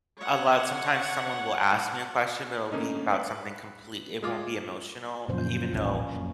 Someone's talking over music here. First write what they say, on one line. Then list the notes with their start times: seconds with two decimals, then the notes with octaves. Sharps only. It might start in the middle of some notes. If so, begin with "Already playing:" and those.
a lot sometimes someone will ask me a question, but it'll be about something complete it won't be emotional, uh, even though
0.18 C#5 F#5
2.72 D3 A3 A#3 C#4 D#4
3.12 B4
4.22 G#3 F4 D6
5.29 F#2 A#2 C#3 F3 C5
5.73 A1 D#2 B2 A#3 C#4
6.15 F#2